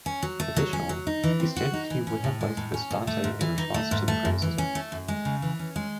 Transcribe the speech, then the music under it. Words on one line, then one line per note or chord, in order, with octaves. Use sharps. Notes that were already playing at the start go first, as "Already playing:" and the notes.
Additionally, he stated he would have liked this Dante in response to the criticism.
C#4
F#3
A3
F#3
C#4
F#3
D#4
E3
C4
F#4
D#4
E3
C#4
A2
G#3
A2
C#4
A2
A3
G#2
E3
D#4
A3
G#2
A3
F#2
E3
C#4
A3
F#2
G#3
C#3
E3
C#4
G#3